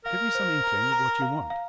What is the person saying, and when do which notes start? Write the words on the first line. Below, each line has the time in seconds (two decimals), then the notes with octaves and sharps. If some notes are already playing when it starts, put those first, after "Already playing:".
Give me some inkling of what you want.
0.05 A#4 F5
0.35 C5
0.64 A#5
0.92 A#5
1.22 F5
1.50 F5